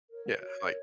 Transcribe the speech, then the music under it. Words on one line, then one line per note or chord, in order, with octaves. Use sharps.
Yeah, like
A#4 C#5
F#4 C#5
A#4 C#5